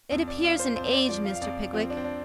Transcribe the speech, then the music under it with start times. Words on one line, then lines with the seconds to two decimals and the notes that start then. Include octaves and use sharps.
It appears an age, Mr. Pickwick.
0.11 F2
0.28 D5
0.44 F3 F5
0.60 C5
0.76 F2 C5
0.93 D5
1.09 F3 D5
1.25 F5
1.36 F5
1.41 F2 D5
1.73 F3 C4
1.90 D4
1.97 C4
2.04 D4